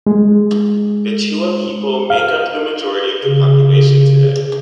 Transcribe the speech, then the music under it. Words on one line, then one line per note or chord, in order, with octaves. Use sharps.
The Chewa people make up the majority of the population today.
G#3
F5
C#3